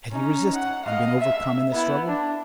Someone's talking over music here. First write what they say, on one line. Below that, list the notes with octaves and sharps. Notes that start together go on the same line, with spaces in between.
Had he resisted, and been overcome in the struggle?
C#4 D#4
F#5
D#5 F5
E5
B3 E4
D4